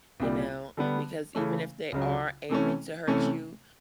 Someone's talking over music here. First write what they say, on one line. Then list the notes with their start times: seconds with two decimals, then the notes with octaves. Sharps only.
you know, because even if they are aiming to hurt you,
0.20 C2 A#2 G3
0.77 D3 G3 B3
1.35 C#3 E3 A3 C#4
1.92 C#2 C#3 F#3
2.50 C3 E3 A3 C#4
3.07 C3 E3 A3 C#4